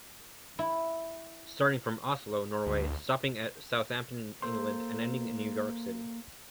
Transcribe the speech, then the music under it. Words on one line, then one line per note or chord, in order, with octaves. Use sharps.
Starting from Oslo, Norway, stopping at Southampton, England, and ending in New York City.
E4
D2
A#3 A4 C5 C6